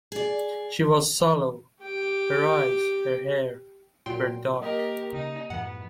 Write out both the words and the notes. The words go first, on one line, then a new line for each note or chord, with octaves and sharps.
She was sallow; her eyes, her hair, were dark.
G#4 D5
G4 G5
A#2 F#3 G5 C6
A#3 G4 A#4 D#5
C#3 D#4
F#2 A2 F3 B3 F#5